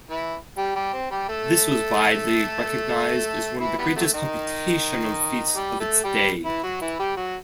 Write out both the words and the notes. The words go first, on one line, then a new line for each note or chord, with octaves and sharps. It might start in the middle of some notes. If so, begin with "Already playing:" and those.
This was widely recognized as one of the greatest computational feats of its day.
E3 E4
G3 G4
G3 G4
C4
G3 G4
A3 A4
E3 E4
E3 G3 B3
C3 F#3 A3
D#3 D#4
G3 G4
A3 A4
G3 G4
E3 E4
F#3 F#4
E3 E4
G3 G4
F#3 F#4